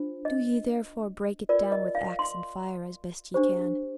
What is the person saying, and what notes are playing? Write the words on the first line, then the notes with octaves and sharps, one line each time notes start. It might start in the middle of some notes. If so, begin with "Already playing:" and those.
Do ye therefore break it down with axe and fire as best ye can.
Already playing: D4 F4 C5
D#5
F4 A#4 D5
D#5
F5
C6
D4 G4 C5